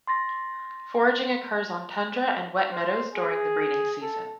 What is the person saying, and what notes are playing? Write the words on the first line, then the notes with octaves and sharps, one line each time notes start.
Foraging occurs on tundra and wet meadows during the breeding season.
C6 A6 A#6
C5
G#4
A4